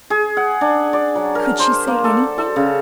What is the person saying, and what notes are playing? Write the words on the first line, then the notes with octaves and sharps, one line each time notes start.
Could she say anything?
G#4
F#5
D4
D5
F#3
A#4
C5
A#3
A4
A4
C#3